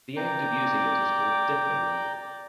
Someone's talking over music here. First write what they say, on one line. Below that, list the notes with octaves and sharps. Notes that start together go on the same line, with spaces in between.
The act of using it is called "dipping".
D5 G5 A#5 D6